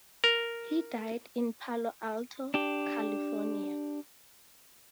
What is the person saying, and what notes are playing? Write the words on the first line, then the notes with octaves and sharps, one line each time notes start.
He died in Palo Alto, California.
A#4
D4 G4